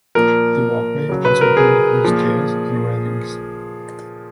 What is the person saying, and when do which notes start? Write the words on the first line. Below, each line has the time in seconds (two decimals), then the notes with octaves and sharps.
The walkway also included new stairs and railings.
0.15 A#2 F3 A#4
1.09 C#3 F#3
1.25 B4
1.41 A#4
1.57 G#4
2.04 A#2 F3